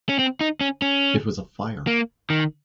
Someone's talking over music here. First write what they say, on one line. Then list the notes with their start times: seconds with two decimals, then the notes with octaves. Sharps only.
It was a fire.
0.09 C#4
0.19 C4
0.41 D#4
0.61 C#4
0.82 C#4
1.87 A#3
2.30 D#3